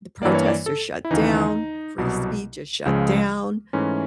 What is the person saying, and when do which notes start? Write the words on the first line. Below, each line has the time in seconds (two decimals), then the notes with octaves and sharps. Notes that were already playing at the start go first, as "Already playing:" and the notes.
the protests are shut down, free speech is shut down,
0.22 G2 E3 G3 A#3 D5
0.35 C#5
0.46 D5
0.66 A4
1.05 E4
1.11 D#2 C#3 E3 D#4
1.98 C2 B2 F#3 B3
2.86 C#2 C#3 F3 G#3
3.73 G#2 E3 A3 C#4